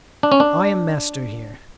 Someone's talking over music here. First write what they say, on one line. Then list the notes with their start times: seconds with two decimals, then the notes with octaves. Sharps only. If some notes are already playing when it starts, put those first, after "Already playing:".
I am master here.
0.23 D4
0.32 C#4
0.40 D4